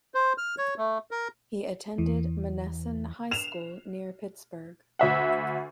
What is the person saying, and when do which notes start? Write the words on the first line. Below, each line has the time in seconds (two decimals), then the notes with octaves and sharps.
He attended Monessen High School near Pittsburgh.
0.14 C5
0.38 F6
0.58 C#5
0.78 A3
1.11 A#4
1.98 E2 E3
3.31 E7 F7
4.99 D2 E5 F#5